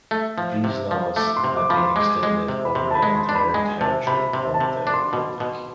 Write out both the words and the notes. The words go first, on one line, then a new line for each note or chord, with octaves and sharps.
These laws had been extended over the entire territory of the republic.
A3
F3
C3
F3
A3 D6
C6
C3
D6
F3 B5
C6
C6
G#3 D6
G#3
C3
B5
C3 C6
A5
B5
G#3
C6
D4
B5
G#3 G#5
C3 A5
C3 B5
C3 C6
A5
C3
D4 D6
C6
B2
B2